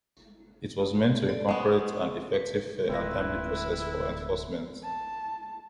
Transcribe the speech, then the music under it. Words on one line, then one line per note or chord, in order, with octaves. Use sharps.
It was meant to incorporate an effective, fair and timely process for enforcement.
A4 D5
G#3 B3 C5 C#6
B4
D1 D2 G#3 C4 E4 F4 B4 A#6
A5